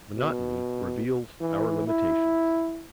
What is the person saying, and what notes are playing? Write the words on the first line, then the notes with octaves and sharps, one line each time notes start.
Monotony reveals our limitations.
B2
E3
E4